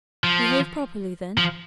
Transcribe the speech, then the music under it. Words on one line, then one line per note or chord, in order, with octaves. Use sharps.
'Behave properly, then.'
F3
F3